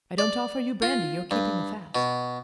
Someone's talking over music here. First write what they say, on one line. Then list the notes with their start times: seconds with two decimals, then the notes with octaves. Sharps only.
I don't offer you brandy, you're keeping the fast.
0.18 D5
0.82 F4
1.31 G2
1.95 B2